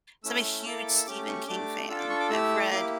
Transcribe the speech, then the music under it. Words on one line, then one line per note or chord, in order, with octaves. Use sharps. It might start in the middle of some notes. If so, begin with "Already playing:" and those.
so, I'm a huge Stephen King fan, I've read
A3 C#4 E4 E6
E6
A#3 E4 A4 D6
E6
A3 C#4 G4 D6
C#6
A3 D4 G4 D6
D4 F4 A4 E6
D6
C#6
D6
A3 E4 G4 E6
A#3 E4 G4 D6